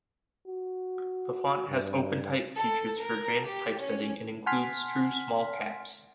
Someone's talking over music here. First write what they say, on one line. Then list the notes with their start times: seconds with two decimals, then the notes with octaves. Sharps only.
The font has OpenType features for advanced typesetting and includes true small caps.
0.47 F#4
1.68 G2
2.56 A4
3.00 A#4
3.46 G4
3.81 C#4
4.46 F#5 G#5 A5 C6 F6 B6